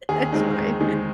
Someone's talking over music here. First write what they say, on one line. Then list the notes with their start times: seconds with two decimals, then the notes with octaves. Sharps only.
that's fine,
0.09 D#2 G#4
0.32 D#3 G#3 C4 D#4
0.57 D#2
0.80 D#3 G#3 C4 D#4